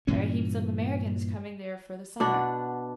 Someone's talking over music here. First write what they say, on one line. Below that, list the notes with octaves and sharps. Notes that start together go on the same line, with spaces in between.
There are heaps of Americans come there for the summer.
G2 A#2 E3 C#4
B2 D4 F#5